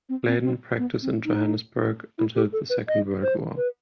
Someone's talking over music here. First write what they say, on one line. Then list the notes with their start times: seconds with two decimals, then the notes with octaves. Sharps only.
Clayden practiced in Johannesburg until the Second World War.
0.09 C4
0.27 C4
0.44 C4
0.78 B3
1.02 C4
1.25 D#4
2.18 E4
2.36 G4
2.53 A4
2.70 B4
2.88 D#5
3.23 C5
3.57 B4